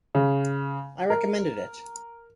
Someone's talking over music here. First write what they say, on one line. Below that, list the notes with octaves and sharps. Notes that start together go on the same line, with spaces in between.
I recommended it.
C#3
A#4